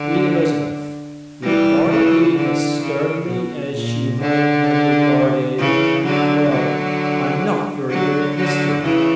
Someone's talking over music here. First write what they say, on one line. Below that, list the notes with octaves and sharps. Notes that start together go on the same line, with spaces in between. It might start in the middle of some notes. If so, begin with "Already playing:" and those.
Queen Elizabeth regarded me as sternly as she might have regarded--Well, I'm not very good at history.
Already playing: D3
E3 G3
C#3 E3
D3
C#3
B2
A#2
D3
C#3 E3
D3 F#3
D3 F#3
D3 F#3
D3 F#3
C#3 E3